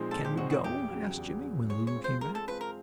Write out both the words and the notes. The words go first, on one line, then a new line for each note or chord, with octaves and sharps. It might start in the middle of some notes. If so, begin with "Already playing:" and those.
"Can we go?" asked Jimmie, when Lulu came back.
Already playing: A#2 F3 G#3 C4 D#4
A#2 A4
G4
F3 G#3 C4 D#4 F#4
F#4
E2 G4
C#3 F#3
E2
C#3 F#3
G#3 C#5
C#5
C4 F4
C5
G#3 A#4
A4
C4 F4 B4
A#4